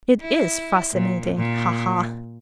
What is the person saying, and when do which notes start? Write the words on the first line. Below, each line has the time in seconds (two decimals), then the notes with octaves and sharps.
It is fascinating, ha-ha!
0.21 E4
0.93 A#2
1.37 A#2